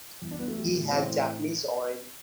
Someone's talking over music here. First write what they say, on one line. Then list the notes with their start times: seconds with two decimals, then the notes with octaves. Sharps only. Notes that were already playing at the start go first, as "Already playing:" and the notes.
He has Japanese origin.
0.22 E2
0.31 D4
0.39 E2 B3
0.48 A3
0.57 G3
0.74 A2
0.92 E3 C4
1.10 A2